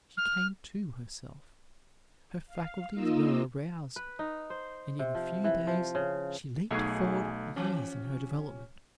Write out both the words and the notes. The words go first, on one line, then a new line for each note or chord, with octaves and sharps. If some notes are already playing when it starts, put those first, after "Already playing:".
She came to herself; her faculties were aroused, and in a few days she leaped forward years in her development.
F6
F5
A#3 D#4 F4 D#5 E6
B4
D#4
C5
C3
F3
E3
F3
C#3
B1 A3 D#4 F#4 G#4 G#6
E3 F3 C#4 G4